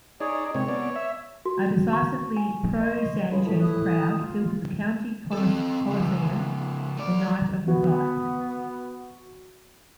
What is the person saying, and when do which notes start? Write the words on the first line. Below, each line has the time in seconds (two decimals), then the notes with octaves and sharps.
A decisively pro-Sanchez crowd filled the County Coliseum the night of the fight.
0.20 D#4 G#4 C#5 D5
0.55 C3 G#3 C4 C#5
0.68 B3 D5
0.96 E5
1.45 F#4
1.93 C#6
2.37 G#5
2.79 D#5 C6 C#6
3.32 C#2 G#4 C#5 B5
3.46 A2 G#4 E5 A5
3.60 E4 D#6 F#6
4.18 F4
5.33 C4 A4
5.87 C#3 F3
6.97 A3 D5
7.68 B3 F#4